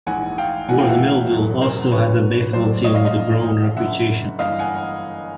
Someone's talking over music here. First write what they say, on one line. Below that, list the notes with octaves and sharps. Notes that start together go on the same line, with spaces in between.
Ward Melville also has a baseball team with a growing reputation.
A#1 G#2 E3 F#5 G#5
F5 G5
A#1 A2 E3 F#5 G#5
F5 G5
E5 F#5
E1 E2 B2 F#3
A#4 C5
G1 F2 D3 F3 B4 C#5
B1 A2 F#3 C5 D5
C#5 D#5
D#5 F5
D#5 F5
A1 G#2 F3
F#1 F#2 D3 E5 F#5
G1 G2 E3 D#5 F5
F#5 G#5